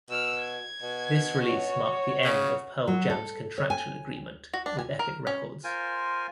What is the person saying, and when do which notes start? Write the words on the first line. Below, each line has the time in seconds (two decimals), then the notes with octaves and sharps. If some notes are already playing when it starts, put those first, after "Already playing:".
This release marked the end of Pearl Jam's contractual agreement with Epic Records.
0.10 B2 E6 F6
0.40 G#6
0.82 B2
1.44 F#4 C#5
2.24 C#3
2.88 F#3
3.10 A4
3.58 C#5
3.70 G#5
4.53 F#4
4.66 D4
4.79 G#5
4.99 A#4
5.27 C#4
5.64 F4 A#4 C5 G#5